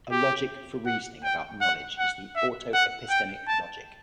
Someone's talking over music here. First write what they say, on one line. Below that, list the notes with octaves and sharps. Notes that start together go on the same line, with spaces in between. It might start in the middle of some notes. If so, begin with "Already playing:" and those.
A logic for reasoning about knowledge is the autoepistemic logic.
G4
F#5
G5
F#5
F#5
E5
F#5
G5
A5